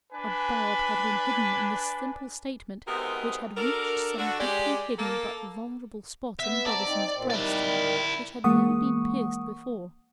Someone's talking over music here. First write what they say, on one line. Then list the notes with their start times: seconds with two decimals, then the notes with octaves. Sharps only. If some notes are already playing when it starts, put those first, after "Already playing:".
A barb had been hidden in this simple statement which had reached some deeply-hidden but vulnerable spot in Brotherson's breast, which had never been pierced before.
0.12 D4 B4 G#5
2.87 G#2 C3 B3 D#4 F#4 A#4
3.57 D4 F#4 A4 A#4
4.17 D3 F#4
4.40 G#3 G4 D5
4.99 A#3 A4
6.40 B3 E5
6.66 C3 D5 A5 A#5
6.86 C4 D#4
7.14 D#2 A#2 C4
7.30 D#3 G3 E4 D5
8.44 E3 G#3 A#3 F#5 C#6 D#6